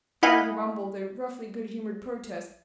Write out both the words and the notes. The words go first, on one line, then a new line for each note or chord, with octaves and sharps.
There he rumbled a roughly good-humoured protest.
E4 D#5 F5 F#5 G#5 B5